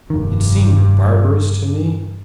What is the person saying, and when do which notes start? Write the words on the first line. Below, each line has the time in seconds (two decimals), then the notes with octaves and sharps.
It seemed barbarous to me.
0.10 F1 G2 D#3